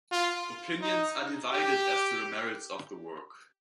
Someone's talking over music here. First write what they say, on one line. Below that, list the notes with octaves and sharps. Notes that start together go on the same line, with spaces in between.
Opinions are divided as to the merits of the work.
F4
D#4
G4